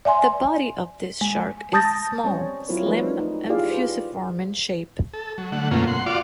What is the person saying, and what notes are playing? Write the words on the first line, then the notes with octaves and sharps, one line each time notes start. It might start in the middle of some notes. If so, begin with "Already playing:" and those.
The body of this shark is small, slim, and fusiform in shape.
D5 E5 G#5 C6
G#3
A5 D#6 G6 A6 A#6
G3 C4 C#4 C5 C#5
F#3 C4 E4 F4 A#4 C#5
F3 G3 A3 D#4 B4
D#4
E4 F4 G4 G#4 D5 F5
B4 C5
A4
F#3
D3 A3 F#5
F#2 B2 A3 A#3 C#4 F4
F#5 C6
F4 F#4 D5 F5 D6